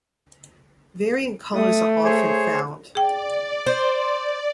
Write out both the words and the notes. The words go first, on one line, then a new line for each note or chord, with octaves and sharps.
Variant colors are often found.
A3 D#6
G#4 C5 C#5
G#4 D5 G5
C5